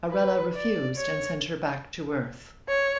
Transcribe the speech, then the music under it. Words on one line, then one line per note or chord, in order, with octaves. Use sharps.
Arella refused and sent her back to Earth.
B4
D5
C#5
C#5